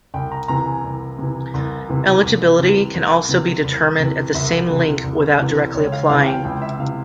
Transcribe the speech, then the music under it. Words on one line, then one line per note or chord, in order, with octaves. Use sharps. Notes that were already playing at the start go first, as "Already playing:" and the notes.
Eligibility can also be determined at the same link without directly applying.
C2 G5
A#5
C3 E3 A#5
G#5
C2
C3 E3
C2
C3 E3
C2
C3 E3
C2
C3 E3
C2
C3 E3
C2 E5
C3 E3
C2
C3 E3
C#2 C#5
F5
C3 E3 F5
G5
C#2 G5
E5
C3 E3 F5